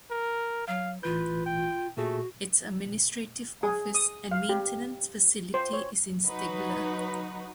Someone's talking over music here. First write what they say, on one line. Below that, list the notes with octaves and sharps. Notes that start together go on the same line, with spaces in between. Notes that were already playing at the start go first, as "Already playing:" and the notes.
Its administrative office and maintenance facility is in Stigler.
A#4
F#3 F5
A1 E3 F4 B4 G6
G5
A#2 A3 F#4 G#4
G#4
D#6
F5
G4
C5
C#5
F#3 D#4 F#4 B4